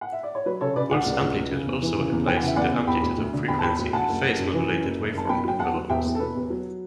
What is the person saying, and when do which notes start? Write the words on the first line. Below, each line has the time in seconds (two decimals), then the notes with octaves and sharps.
Pulse amplitude also applies to the amplitude of frequency- and phase-modulated waveform envelopes.
0.01 F#5
0.12 E5
0.23 D5
0.35 C#5
0.46 F#3 B4
0.61 C#3 A4 C#5
0.76 C#3 B4 D5
0.91 C#2 D5 F#5
1.06 C#2
1.22 C#2
1.36 C#2
1.51 C#3
1.67 E2
1.82 E3
1.97 C#3
2.12 E2
2.27 E3 G5
2.37 F#5
2.42 C#3 E5
2.56 E2 D5 F#5
2.72 E2
2.87 E1 G5 B5
3.03 D2
3.18 D2
3.33 D3
3.48 E1 G5 B5
3.59 A5
3.63 E1 G5 B5
3.78 D2
3.93 D2 F#5 A5
4.09 F#1
4.24 F#1
4.39 F#2
4.54 E3
4.69 F#2
4.84 F#1
4.99 F#1
5.14 F#1 A5
5.29 B2 G5 B5
5.44 F#3 G5
5.59 E2 F#5 A5
5.74 F#3
5.89 E1 E5 G5
6.05 E2
6.15 A4
6.19 B2 B4
6.35 E1
6.50 F#3